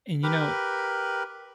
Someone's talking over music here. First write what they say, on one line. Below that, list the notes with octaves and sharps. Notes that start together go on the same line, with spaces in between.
and, you know
G4 A#4 B4 B5